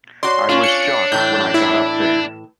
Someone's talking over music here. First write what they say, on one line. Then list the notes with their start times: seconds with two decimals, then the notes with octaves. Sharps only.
I was shocked when I got up there.
0.23 F#4 C#5 D5 C6
0.49 C#4 D4 F4
0.63 C#7
1.12 A2 E3 G6
1.54 E4